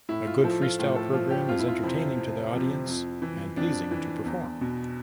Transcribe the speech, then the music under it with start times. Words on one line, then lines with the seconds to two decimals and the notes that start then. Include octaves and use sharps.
A good freestyle program is entertaining to the audience and pleasing to perform.
0.09 A2 E4
0.27 F4
0.44 F3 A4
0.62 F4
0.79 A2 F4
0.96 A4
1.13 F3 F4
1.30 G4
1.48 F2 F4
1.59 E4
1.68 F4
1.83 C3 F3 E4
2.18 F2
2.52 C3 F3
2.87 F2
3.22 E3
3.56 F2 D4
3.91 E3
4.25 E2
4.61 B2